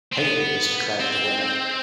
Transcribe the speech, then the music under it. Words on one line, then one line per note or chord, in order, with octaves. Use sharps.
Haley was declared the winner.
C4
B3
C4